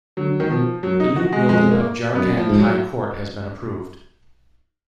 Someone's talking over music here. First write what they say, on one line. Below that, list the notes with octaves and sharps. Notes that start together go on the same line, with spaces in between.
The new building of Jharkhand High Court has been approved.
D3 F#3
D#3
B2 F3
F#2 F#3
D#4
F#4
G#3
F2 G#3
A#3
F#2 B3
F3
G#2
F#3